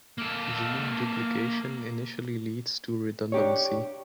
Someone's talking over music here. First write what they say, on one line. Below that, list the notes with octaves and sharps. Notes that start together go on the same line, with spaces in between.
Gene duplication initially leads to redundancy.
A#3 A4
D4 G4 C#5